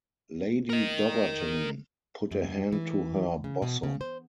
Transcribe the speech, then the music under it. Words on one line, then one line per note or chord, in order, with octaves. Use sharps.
Lady Doverton put a hand to her bosom.
A#4 D#5
F#2
E3
C#3
B2
C#3
C5